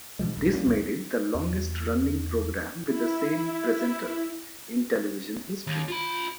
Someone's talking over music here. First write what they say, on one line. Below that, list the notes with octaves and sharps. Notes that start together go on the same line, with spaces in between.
This made it the longest-running programme with the same presenter in television history.
B2 E3 F3 G#3
E1 B1
A#1 G3 A#3 C#4
E1 B1 E2 G3
E2
E4
D#2
F4 B5